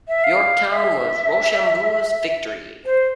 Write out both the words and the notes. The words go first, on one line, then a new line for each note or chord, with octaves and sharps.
Yorktown was Rochambeau's victory.
E5
F5
E5
C5